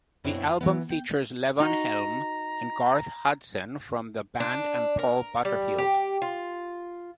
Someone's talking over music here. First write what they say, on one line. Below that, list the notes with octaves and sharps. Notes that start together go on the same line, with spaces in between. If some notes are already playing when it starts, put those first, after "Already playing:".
The album features Levon Helm and Garth Hudson from The Band and Paul Butterfield.
F#2 B2 F#3 C4 D4 E4
F4 F5 A5
E3 B3
G5
D#4 F#4 A#5
D4
A#4
G3
G4
F4